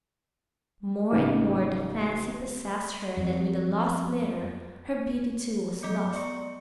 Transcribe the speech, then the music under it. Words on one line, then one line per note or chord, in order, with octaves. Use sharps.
More and more the fancy possessed her that with the lost mirror her beauty too was lost.
A1 C#3 D#4
F2
F#3 B3 D#5 D6 G6 C#7
B3 D5 A#5 C6 C#6 C#7